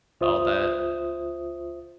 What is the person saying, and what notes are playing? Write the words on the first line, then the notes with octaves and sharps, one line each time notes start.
all that,
C#2 F4 C5 E5 D#6